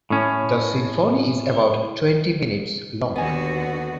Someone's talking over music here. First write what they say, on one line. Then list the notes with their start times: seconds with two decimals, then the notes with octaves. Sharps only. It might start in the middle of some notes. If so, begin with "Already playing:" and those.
The symphony is about twenty minutes long.
0.10 A2 C#4
3.16 D#2 D3 B3 F#4 G#5